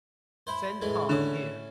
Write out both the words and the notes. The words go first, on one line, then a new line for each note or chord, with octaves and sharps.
Send Hahn here.
E4 C5
A2 E3 G#3
A2 D3 C#4